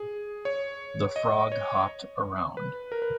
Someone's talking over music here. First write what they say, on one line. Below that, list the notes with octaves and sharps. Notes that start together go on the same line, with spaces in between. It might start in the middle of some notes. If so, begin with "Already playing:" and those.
The frog hopped around.
Already playing: G#4
C#5
D#5
C#5
B4
A#4
B4